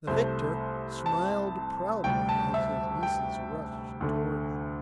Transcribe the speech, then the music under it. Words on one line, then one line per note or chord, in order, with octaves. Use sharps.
The victor smiled proudly as his nieces rushed toward him.
C2 C3 A3 C5
A5
D2 C3 G3 G5
A5
E5
G5
D2 D3 A3